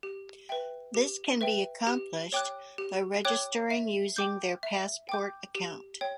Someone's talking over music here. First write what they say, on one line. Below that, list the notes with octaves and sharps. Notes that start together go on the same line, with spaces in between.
This can be accomplished by registering using their Passport account.
G4
B4 E5 G5
G4
B4 E5 G5
G4
C#5 G5 D6 F#6
G4
C#5 G5 D6 F#6
E5
G5 D6 G6
E5
G5 D6 G6
G4
C#5 G5